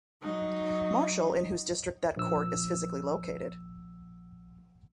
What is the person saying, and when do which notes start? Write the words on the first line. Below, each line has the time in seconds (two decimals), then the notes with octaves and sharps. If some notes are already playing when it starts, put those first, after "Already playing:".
Marshal in whose district that court is physically located.
0.22 F#3 D#4
2.16 A#1 E6